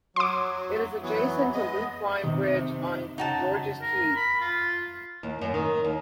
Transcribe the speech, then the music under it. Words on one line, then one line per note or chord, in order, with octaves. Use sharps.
It is adjacent to Loopline Bridge on George's Quay.
F#3 C6 D6
E3 F#3 B3
G#3 B3 D#5
C3 D#3 D#4
C#3 D#4 F#4 A5
A#4
B5
F4
D#2
F#2
D#3
D#2